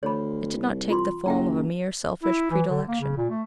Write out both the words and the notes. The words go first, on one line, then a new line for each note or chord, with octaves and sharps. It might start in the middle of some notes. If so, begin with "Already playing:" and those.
It did not take the form of a mere selfish predilection.
D2 C#5 B5
C2
F4 C6
F#1 E5 G5 A#5
E4
E3
D3
A#3
C#3
A#2
A3